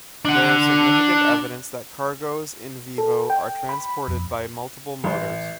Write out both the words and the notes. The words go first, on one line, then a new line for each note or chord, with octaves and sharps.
There is significant evidence that cargoes in-vivo are transported by multiple motors.
D4 F#5
A4
G5
B5
F2
A1